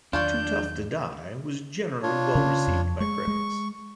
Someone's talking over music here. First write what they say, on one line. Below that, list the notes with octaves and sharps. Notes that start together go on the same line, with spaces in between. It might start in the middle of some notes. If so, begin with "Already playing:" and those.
"Too Tough to Die" was generally well received by critics.
E2 D#3 F#3 D4 F4 C#5 D5 G6
D4 F4 C#5
C#3 C#4
F2
G#3 C#6
G#3